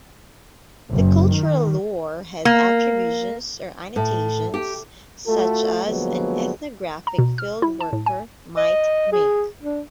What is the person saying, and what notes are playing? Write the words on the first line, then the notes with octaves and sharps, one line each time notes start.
The cultural lore has attributions or annotations such as an ethnographic fieldworker might make.
F#1
D#3
A#3
A2
G4
A3 F4 F#4 A4
D3 F3 F#3 G#3 A#3 B3
A#5
B2
F6
E4
A5
A2
G#5
D#5
G#4
D4